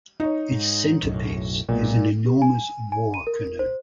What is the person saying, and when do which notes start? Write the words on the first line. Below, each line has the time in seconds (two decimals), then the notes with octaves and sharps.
Its centerpiece is an enormous war canoe.
0.20 D#4 C#5
0.51 G#2
1.03 B1 F#2 A2
1.69 B1 A#2 G#3 B3
2.26 G4
2.42 G#5
2.92 G#5
3.14 D#7
3.27 A#4
3.59 C5